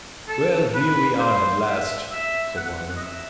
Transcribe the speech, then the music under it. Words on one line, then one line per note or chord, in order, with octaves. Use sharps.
"Well, here we are at last," said one of them.
A4
B4
C5
E5
E5
F#5
D#5
E5